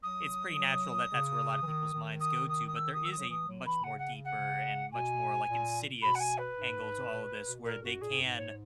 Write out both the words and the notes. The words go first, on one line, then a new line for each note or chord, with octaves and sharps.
it's pretty natural that that's where a lot of people's minds go to. But there is a much more deeper and much more, like, insidious angle to all of this. Where they can
F#3 D#6
F#3
C#3
E3
D#3
D#3
D#6
D#6
D#6
E6
D#6
E6
D#6
F#3
E3 D#6
F#3
E3 B5
C#3 F#5
F#5
F#5
C#3
B2 G#5
A#2
B2 B5
F#5
G#5
B4
G#2
A#2
B2
A#2 A#4
F#2 F#4
A#2 G#4
G#2
F#2
G#2
C#5